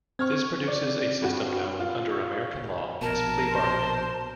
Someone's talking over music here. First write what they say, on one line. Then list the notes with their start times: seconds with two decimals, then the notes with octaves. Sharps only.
This produces a system known under American law as plea bargaining.
0.19 C4 C#6 F6 G#6
0.68 D5
1.22 G2 F#4
1.80 F4
2.11 C#6
3.01 A#1 B2 A#4 A5
3.52 C5